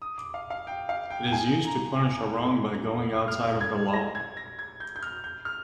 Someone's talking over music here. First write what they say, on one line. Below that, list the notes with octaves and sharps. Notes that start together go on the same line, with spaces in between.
It is used to punish a wrong by going outside of the law.
D#6
D6
F5
F5
G5
F5
G5
G5
G#5
A#5
F6
G#6
A#6
G#6
A#6
G#6
G6
G6
F6
G6
F6